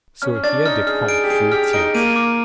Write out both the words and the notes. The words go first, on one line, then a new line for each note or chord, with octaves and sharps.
So here they come, full tilt.
C#4 F6
D4 A6
D#4 F6
G#4 F6
G#4 D7
G4
G#4 D7
G4 F6
D#4 D7
A#3 D#7
D6